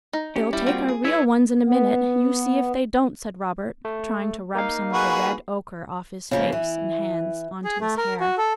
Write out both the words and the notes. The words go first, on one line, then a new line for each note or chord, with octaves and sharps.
'They'll take our real ones in a minute; you see if they don't,' said Robert, trying to rub some of the red ochre off his face and hands on to his hair.
D#4
C#4 G4
G3 E4
A#3 C4 F4 F#4 G5
G#4
E4 B4 C#5 E5
B3
A3
A#3 D#4 F5
F#4 G#4 B4
C#3 F3 A#3
E3
G#4
A3
A#4
F#4
A4